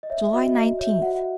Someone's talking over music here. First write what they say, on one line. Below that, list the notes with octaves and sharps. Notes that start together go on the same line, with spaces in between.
July Nineteenth.
D#5
C#5 E5
F#4 D#5
F#4 D#5
C#5 E5
F#4 F#5